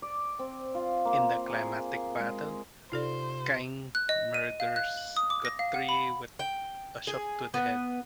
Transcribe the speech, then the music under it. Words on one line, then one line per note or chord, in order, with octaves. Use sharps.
In the climatic battle, Kang murders Guthrie with a shot to the head.
D5
C4
F4
A#3
G#4
G#3
C3 D#4 F4 A4 C5 D5
F#6
D#5
D#7
F5
F#6
F#7
D#6
D6
A#6
F5
F#5
B5
G5
G#4
B3